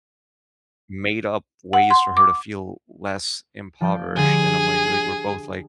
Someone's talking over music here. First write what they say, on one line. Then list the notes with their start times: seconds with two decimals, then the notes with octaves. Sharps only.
made-up ways for her to feel less impoverished, and I'm, like like, we're both, like
1.73 F#5
1.90 C6
2.17 D6
3.81 F3 D5 G6
4.17 D3 G3 G#4